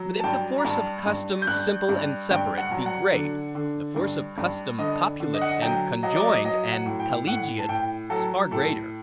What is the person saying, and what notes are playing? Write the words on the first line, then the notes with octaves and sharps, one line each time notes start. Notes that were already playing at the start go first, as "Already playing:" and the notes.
But if the force of custom simple and separate, be great, the force of custom copulate and conjoined and collegiate, is far greater.
Already playing: F#3
A5
G2 G5
A#5
G2 A5
G2
G6
G2 F#6
G2
G2 G5
F#5
F#3
F#5
D3
D3
G2
G2
D3 D#5
D3
D#5
F#5
D#5
F#3 G5
F#3 D#5
D5
D#5
F#3 D#5
F#5
A2
G5
A2 F#5
A5
A2 G5
F#3 A4
A2 A4